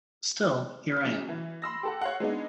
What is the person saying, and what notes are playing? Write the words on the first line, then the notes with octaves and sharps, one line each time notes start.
Still, here I am.
B1 C#3
E3
B5 C6 E6 A#6
G4 A4 F#5
C#5 F5 F#5
G#3 B3 D4 D#4